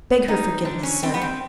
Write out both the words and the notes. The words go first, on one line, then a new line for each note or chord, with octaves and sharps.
Beg her forgiveness, sir.
G3 D#4
D3 D4
C#4
G3 C4
B3
C4